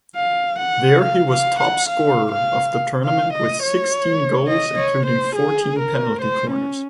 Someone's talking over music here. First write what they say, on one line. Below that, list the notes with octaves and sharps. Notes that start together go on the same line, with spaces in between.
There he was topscorer of the tournament with sixteen goals, including fourteen penalty corners.
F5
F#5
F5
F5
F#5
F5
F5
F5
D#5
C#5
D#5
C#5
C5
G#4
A#4
C5
C#4